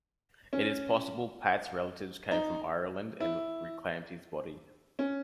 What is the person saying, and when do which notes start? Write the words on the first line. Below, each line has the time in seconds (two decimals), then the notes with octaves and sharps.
It is possible Pat's relatives came from Ireland and reclaimed his body.
0.53 C#4
2.31 D#4
3.20 E4
4.99 C#4